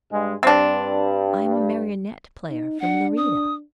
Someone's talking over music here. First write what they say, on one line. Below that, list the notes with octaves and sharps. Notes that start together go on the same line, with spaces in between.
I am a marionette player from Lerida.'
G2 G#3
G2 C4 D4
D#4
D4 F#5
D#6